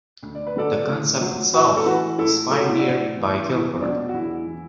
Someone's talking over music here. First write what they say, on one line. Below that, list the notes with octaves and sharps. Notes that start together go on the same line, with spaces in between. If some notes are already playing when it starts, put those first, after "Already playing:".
The concept itself was pioneered by Gilbert.
D2
D5
B4
D3 F#3 A4 D5
A2
F#3
A2 F#4 B4
A4
E3 F#4 B4
A2 E4 A4
F#3 A4
F#4
E4
A2 D4 F#4
E3
E2 E4
B2 F#3 D4
F#4
E2 E4
E3